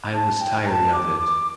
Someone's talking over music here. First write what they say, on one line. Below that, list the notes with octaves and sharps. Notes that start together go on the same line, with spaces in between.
I was tired of it.
A5
G5
A#5
A5
D6
D6